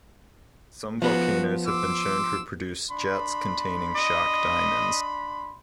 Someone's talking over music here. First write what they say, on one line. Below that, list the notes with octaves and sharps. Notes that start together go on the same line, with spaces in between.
Some volcanoes have been shown to produce jets containing shock diamonds.
F3 B3 F#4
C6 D6 E6
D4 B5 C6
D#5